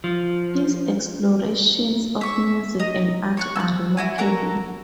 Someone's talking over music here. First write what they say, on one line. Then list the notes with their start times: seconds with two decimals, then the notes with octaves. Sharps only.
His explorations of music and art are remarkable.
0.04 F3
2.21 E5 C#6
2.80 D#5 A#5
3.37 C#5 C#6 F#6
3.55 E6 F#6
3.97 E4 F#4 G#5
4.18 F#4 A4 A#4 A#5